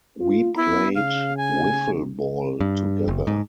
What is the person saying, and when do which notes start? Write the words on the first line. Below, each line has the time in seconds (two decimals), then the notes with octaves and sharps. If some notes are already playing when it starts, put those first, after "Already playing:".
We played Wiffle ball together.
0.21 F4
0.56 B3 E4
0.95 C#3 F5
1.37 G#5
2.61 G2
3.08 F#1
3.27 G#2